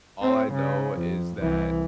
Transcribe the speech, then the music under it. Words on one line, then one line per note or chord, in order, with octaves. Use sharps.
all I know is that
C4
C#3
F2
C2 E3